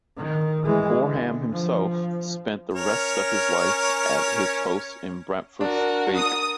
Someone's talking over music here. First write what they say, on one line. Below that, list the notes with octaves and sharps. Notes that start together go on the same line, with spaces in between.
Gorham himself spent the rest of his life at his post in Brampford Speke.
D#3
E3 G#3
D3
F3
C#4 A#4 C#5
D4 F#4 A#4
D#6